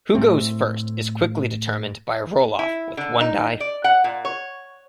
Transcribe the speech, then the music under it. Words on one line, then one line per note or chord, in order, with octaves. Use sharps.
Who goes first is quickly determined by a roll-off with one die.
A2 A3 C4
E4
D3
D#4
D5
F#5
A#2
C#5